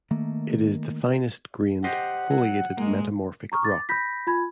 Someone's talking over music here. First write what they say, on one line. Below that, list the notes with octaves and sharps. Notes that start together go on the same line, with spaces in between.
It is the finest grained foliated metamorphic rock.
D#3 A3 A#3
G4 C5 D#5 F#5
F#3
G#2 G#3 A#3
A#5 C#6 D#6 F6
D6 A6
B5 G6 A#6 B6
F4 G#5 B5 G#6